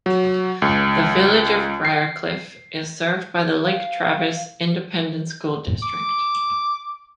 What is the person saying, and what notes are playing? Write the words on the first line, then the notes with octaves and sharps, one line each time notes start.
The Village of Briarcliff is served by the Lake Travis Independent School District.
F#3
C#2
C7
F5
D6